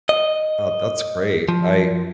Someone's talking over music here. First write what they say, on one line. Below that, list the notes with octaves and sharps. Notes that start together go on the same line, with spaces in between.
Oh, that's great. I
D#5
F3